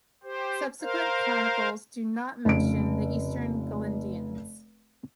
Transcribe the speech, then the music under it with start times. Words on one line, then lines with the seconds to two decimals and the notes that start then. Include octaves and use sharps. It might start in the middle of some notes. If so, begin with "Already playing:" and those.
Subsequent chronicles do not mention the Eastern Galindians.
0.23 G4 C5
0.82 A#4 C5 F5
2.45 F1 C#3 D7